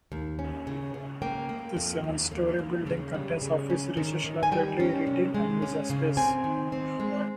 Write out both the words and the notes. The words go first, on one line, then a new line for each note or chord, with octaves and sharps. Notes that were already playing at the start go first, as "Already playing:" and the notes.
This seven-story building contains office, research laboratory, retail and museum space.
D#2
C#4
C#3
C#3
A#3 G5
A#3
F2
D#2
A#3
D#2
C#3
G3
C#3
C#4
D#3
D#3
G#5
G3 G5
C#4
C3
G#3
C#4
C#3
C4 G#5
D#3
C4
G#3